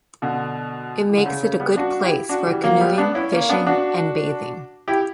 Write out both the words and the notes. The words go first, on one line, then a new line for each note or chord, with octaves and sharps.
It makes it a good place for canoeing, fishing and bathing.
B2 D3
E3
D3
C#3
C#3
G3 B3
D4 F#4
E4 G4
D4 F#4
E3 G3
F#3 A#3
G3 B3
B3 D4
C#4 E4
A#3 C#4
B3 D4
D4 F#4
E4 G4